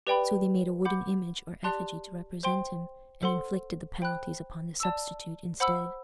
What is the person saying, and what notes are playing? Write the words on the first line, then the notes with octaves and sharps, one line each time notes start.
So they made a wooden image or effigy to represent him, and inflicted the penalties upon the substitute instead.
G4 B4 D5 G5 B5
F#5 B5 D6 G6
G4 D5 A5 C6 F#6
C5 G5 C6
A4 C5 F#5 C6
C5 G5 B5 F#6
D5 A5 E6
C5 F#5 B5 E6